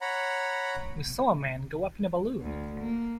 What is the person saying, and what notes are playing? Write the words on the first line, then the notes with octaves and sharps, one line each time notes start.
We saw a man go up in a balloon.
C#5 F#5 A#5 B5
D2
A#3